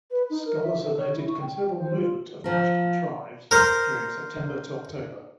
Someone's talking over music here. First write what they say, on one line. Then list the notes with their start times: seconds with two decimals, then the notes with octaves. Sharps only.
Scholars have noted considerable movement of Pashtun tribes during September-October.
0.11 B4
0.30 D#4
0.45 A#4
0.62 E5
0.84 A4
0.97 C#5
1.16 E4
1.28 C#6
1.41 G5
1.55 G5
1.78 C5
1.96 F4
2.44 F3 A#4
3.51 A#4 C5